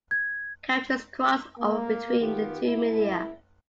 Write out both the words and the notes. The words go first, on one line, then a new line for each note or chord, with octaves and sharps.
Characters cross over between the two media.
G#6
A#3
D#3 B3 F4 G4
F#1 F#2 E4